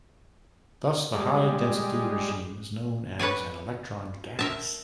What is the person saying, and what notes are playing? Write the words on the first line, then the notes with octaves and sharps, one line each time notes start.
Thus the high-density regime is known as an "electron gas".
G3 G#3
B4 C#5 D5 G#5
A#4 E5 A5